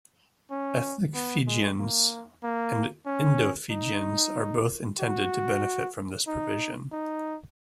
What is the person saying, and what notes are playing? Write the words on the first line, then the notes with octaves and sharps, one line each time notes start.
Ethnic Fijians and Indo-Fijians are both intended to benefit from this provision.
C#4
B3
G#3
A#3
A#3
C#4
D#4
F#4
D#4
D#4